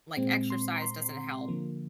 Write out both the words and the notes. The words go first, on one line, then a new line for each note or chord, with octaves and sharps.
like exercise doesn't help,
A#2 G#3 C4
C6
A#5
C6
D3 F3 A#3